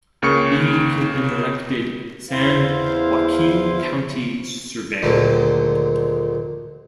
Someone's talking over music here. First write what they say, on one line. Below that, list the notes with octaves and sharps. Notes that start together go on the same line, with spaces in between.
He had been elected San Joaquin County surveyor.
C#2 C#3 A#3 C#6 C#7
E2 E4 C5 F5
D2 A#2 D3 D#3 F#3 G#3